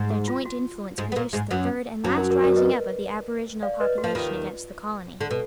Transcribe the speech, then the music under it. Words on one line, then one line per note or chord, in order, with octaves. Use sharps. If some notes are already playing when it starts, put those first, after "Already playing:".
Their joint influence produced the third and last rising up of the aboriginal population against the colony.
Already playing: G#2
F#4
F4
F#4
G#2 G#3
B3
A#2 A#3
G#2 G#3
F#2 F#3
F#2 F#3 D#4
A#4
A#4
A#4 D5
B4 D#5
D5 F5
B4 D#5
F#4
F3
D#2 D#3 F4
D3
B2